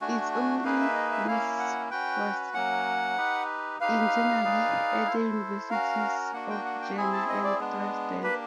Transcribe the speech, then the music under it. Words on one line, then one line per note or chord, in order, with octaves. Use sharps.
Its only use was internally at the universities of Jena and Dresden.
A3 D4 F#4 G#5
G#5
A#3 D#4 G#4 B4 F5
E5
D#5
E5
A#3 C#4 E4 F5
F#5
C#4 F#4 B4 G5
F#3 A#3 C#4 F#5
D#4 G4 B4
D#4 G4 B4 F5
D#4 G#4 B4 D5
E4 A4 C5
C#4 F#4 A#4 F5
A#3 D4 F#4 F#5
G5
F#5
G5
C4 E4 G#4 G#5
A5
D#5
D5
G#3 B3 D4
A#3 D4 G4 B4